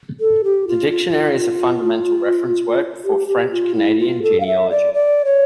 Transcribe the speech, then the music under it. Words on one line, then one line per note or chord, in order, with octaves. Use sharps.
The Dictionary is a fundamental reference work for French-Canadian genealogy.
A4
G4
F4
F4
G4
G4
F4
E4
F4
A4
F5
E5
D5
D5
C#5